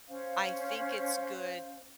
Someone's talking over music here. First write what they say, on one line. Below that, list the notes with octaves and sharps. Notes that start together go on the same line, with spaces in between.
I think it's good
C#4 C5 F5